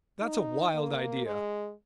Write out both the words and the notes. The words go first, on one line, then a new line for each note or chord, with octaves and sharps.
That's a wild idea.
D#4
A#3
G#3